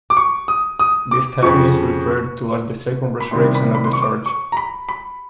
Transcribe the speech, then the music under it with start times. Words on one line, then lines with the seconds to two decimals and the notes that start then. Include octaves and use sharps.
This time is referred to as the "second resurrection" of the church.
0.10 D6
0.17 C#6
0.48 D#6
0.79 D#6
1.11 D6
1.42 F2 C#3 F3 C#6
3.20 B5
3.31 C3 D#3 G3 B3 E4 C6
3.55 B5
3.75 B5
3.84 C6
3.93 C#6
4.02 D6
4.26 C#6
4.52 A#5
4.57 B5
4.89 B5